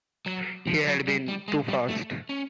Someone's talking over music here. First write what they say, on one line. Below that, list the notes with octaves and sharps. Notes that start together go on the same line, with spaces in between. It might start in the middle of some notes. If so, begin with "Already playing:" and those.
He had been too fast.
F#3
F3
F#3
G3
G3
G#3
G3
A3
C#4